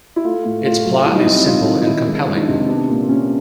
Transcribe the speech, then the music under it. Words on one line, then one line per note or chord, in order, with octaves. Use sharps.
Its plot is simple and compelling.
E4
A3 F4
A2
A2 F4
F#3
G3 E4
D#4
C4 E4
G#2 F4
D#3
D#4
D#3 E4
C#2
C#2
D#4
D4
C3
B3 D4
A#2
A#2 C#4